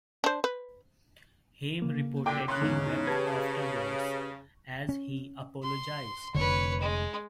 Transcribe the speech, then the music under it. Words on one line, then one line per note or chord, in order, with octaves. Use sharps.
Haim reportedly wept afterwards as he apologized.
D4 C5
B4
C#3 A#3
F#2 A#2 D3 G5 D6
C#3 C6 F#6
E2 G#2 D3
G4 B4 A5 G#6
C#4
C6
F1 D3 B4 C#5
G#3